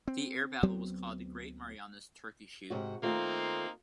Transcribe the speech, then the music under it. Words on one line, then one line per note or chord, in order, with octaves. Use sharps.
The air battle was called the "Great Marianas Turkey Shoot".
C4
D2 F#3 B3 C4
G#2 C3 F#4
D#3 A3 A#3 C4 D#4 F4